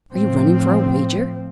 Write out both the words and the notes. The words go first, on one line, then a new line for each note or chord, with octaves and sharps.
"Are you running for a wager?"
A2 F3 C4